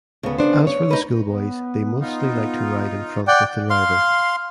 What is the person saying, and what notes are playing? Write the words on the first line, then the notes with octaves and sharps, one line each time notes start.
As for the schoolboys they mostly like to ride in front with the driver.
D2 C#3 B3
D4 C5
C#5
D#4 B4
B3
B3 D#4 F4
D5 F#5 G5
F5 C6